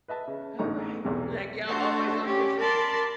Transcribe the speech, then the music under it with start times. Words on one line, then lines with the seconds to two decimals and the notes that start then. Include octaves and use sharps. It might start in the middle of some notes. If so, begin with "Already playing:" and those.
"All right," like, y'all always on different
0.08 B4 D#5 E5 A5
0.28 C#3
0.59 A1 G#2 D3 D#4 A#5 C#6
1.05 B1 E2 G#2 C3
1.65 A3 D4 F#4 C5
2.23 C#4 G4
2.58 A#4 D5 A5 B5 C6